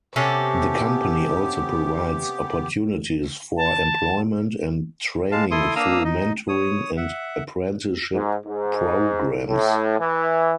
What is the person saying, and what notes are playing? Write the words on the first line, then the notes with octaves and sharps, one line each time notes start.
The company also provides opportunities for employment and training through mentoring and apprenticeship programs.
C3 B3 C#4 G4 A4
A5
G#3 F5 A5
E4 A4 C6 D#6
A#3 D4 F5 A#5 D#6 E6
D#4 D#5
C#5 D#6
E5 F#5
G#2
G#2
A2
E3